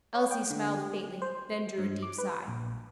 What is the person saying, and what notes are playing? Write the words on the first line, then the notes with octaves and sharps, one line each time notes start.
Elsie smiled faintly, then drew a deep sigh.
C#5
G5
D3
G4
C5
G2
D6
B4
A#1